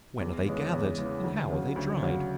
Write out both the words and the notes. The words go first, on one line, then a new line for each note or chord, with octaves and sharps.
When are they gathered, and how are they dried?
E2
C#3 E3 G#3 C#4
E2
C#3 E3 G#3 C#4
D2
C#3 F#3
D2
C#3 F#3